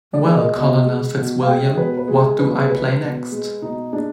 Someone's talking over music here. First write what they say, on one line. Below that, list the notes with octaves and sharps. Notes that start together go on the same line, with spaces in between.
Well, Colonel Fitzwilliam, what do I play next?
D5
G#3
D#5
B2 D#5
G#3
B2
F5
G#3 G5
G#4
B2 B4
B4
G#3 G#4
B2 B4
G#4
G#3 B4
B2
G#3
B2 D#4
G#3 D4